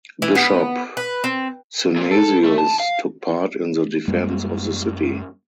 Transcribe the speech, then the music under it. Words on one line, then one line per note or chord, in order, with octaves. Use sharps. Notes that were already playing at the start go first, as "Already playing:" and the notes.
Bishop Synesius took part in the defence of the city.
E3
B3
B4
C4
A#2
A4
A3
A5
F5
F#2 G3 G#3 A#3